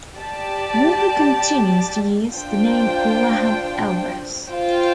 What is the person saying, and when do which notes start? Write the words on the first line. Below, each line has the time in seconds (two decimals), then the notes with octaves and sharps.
Walker continues to use the name Graham Elvis.
0.17 G4 D5 A5
2.33 D4 F4 C5 G5
4.50 F4 C5 G5